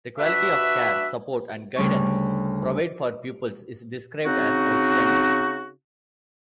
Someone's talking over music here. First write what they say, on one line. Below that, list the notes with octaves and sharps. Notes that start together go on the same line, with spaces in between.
The quality of care, support and guidance provide for pupils is described as outstanding.
D4 F#4 B4 E5
D2 C#3 G3 D4 C#6
C#3 C4 D#4 F#4